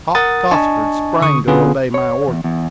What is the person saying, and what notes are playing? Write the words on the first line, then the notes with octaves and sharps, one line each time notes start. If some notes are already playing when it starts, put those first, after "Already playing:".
Hop Tossford sprang to obey my order.
A#4 F#5 D#6 A6
D4 D#5 G#5 A5 C#6
D3 C#6 D#6
D3 B3 C#4 F4 G#4 B4
C#5
E2
E2